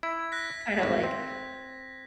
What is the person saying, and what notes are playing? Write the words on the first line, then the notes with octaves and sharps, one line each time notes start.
Kind of like,
E4 G#6
F#6 A#6 B6
G#1 A2
C4